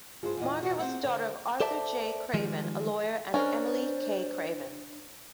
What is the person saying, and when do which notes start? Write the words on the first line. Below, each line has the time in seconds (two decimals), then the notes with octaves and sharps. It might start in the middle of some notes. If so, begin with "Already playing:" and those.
Margaret was the daughter of Arthur J. Craven, a lawyer, and Emily K. Craven.
0.23 G2 F4 G#4 C5
0.37 E2 A#2 D#5
0.62 E2 B2 F#4
0.79 C4 C5 F#5
1.04 D3 C5
1.60 A4 C5 D5 E5 A5
2.34 D#3 F3 G3 G#3
3.34 C#4 D4 A#4 C5